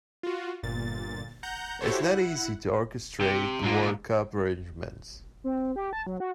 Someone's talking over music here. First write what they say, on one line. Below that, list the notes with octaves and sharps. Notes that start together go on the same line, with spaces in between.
It is not easy to orchestrate the world cup arrangements.
F4 F#4
G1 A#2 A6
F#5 A#5 G6
E4 F#4 G4 A4 C5 C#5
E4 F#5
C3 G4
G#2 D3 A#3 F4
C4
G4
A5
F#3
F#4